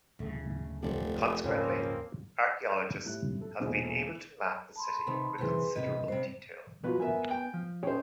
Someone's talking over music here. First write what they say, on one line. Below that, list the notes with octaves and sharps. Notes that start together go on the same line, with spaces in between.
Consequently, archaeologists have been able to map the city with considerable detail.
D1 C#3 A3
F1 A4 C5 D5
D#1 G#2 C#3 F3 A#3 C4 C#4 B4
A2 G3 F#6
A4
E1 B1 A#2 G#3 C5
A5 B5 C6
C3 D#3 B4
C3 E3 G#4 B4 C6
C3 B4 D#5
G2 C3 C5
F2 B2 F#3 F4 B4
B3 A#4 B4 E5 G#5
G5
F3
A#2 C#4 G#4 C5 G5